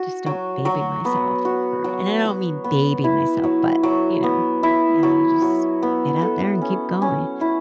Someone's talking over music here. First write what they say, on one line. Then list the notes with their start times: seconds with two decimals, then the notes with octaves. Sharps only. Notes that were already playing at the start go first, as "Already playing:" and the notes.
I just don't baby myself for and I don't mean baby myself, but, you know, yeah, you just get out there and keep going.
Already playing: F#4
0.26 F#3
0.65 F#3
1.05 B3
1.45 F#4
1.84 F#3
2.25 F#3
2.64 B3
3.04 E4
3.43 F#3
3.83 F#3
4.23 B3
4.63 E4
5.03 F#3
5.42 F#3
5.83 B3
6.22 A4
6.62 C#4
7.02 C#4
7.41 E4